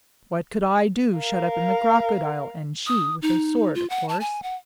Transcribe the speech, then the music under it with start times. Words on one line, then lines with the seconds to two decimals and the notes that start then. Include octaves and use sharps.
"What could I do shut up in the crocodile, and she with a sword, of course?"
1.18 A#4 F5
2.87 D#6
3.22 D#4
3.75 F4
3.90 F#5
4.09 A5
4.21 G#5
4.43 F#5